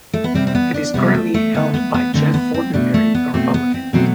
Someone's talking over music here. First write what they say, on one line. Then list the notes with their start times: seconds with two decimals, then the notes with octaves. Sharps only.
It is currently held by Jeff Fortenberry, a Republican.
0.13 A3
0.24 B3
0.34 C3 G3 C4
0.47 C4
0.55 B3
0.74 D4
0.94 C3 G3 B3
1.14 A3
1.34 A3
1.54 D3 A3 B3
1.74 B3
1.94 B3
2.14 D3 A3 C4
2.34 B3
2.54 C4
2.73 B2 A3 D4
2.94 A3
3.14 B3
3.34 B2 A3 C4
3.54 B3
3.74 C4
3.93 B2 F#3 A3 C4